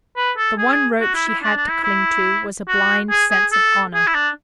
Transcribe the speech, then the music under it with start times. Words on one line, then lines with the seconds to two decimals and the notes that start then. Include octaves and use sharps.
The one rope she had to cling to was a blind sense of honor.
0.17 B4
0.37 A4
0.58 G#4
1.00 F#4
1.14 E4
1.28 E4
1.42 D4
1.56 D4
1.69 E4
1.84 E4
2.68 F#4
3.10 G#4
3.31 G#4
3.52 A4
3.94 G#4
4.07 E4
4.14 D4